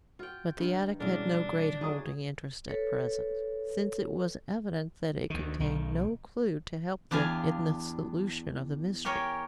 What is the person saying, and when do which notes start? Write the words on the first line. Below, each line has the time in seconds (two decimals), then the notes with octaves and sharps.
But the attic had no great holding interest at present, since it was evident that it contained no clue to help them in the solution of the mystery.
0.19 F4 F#4 G5
0.59 G2 D#3
1.00 B2 E3 G3 G#3 C#4 D4 A#4
1.81 D#3 F#3 F#4 G#4 D#6
2.68 A4 B4 C#5
5.30 D2 D#3
5.60 B1 D#3
7.11 E2 D4 G4 F5 G#5
9.05 G4 A#4 C#5 G5 G#5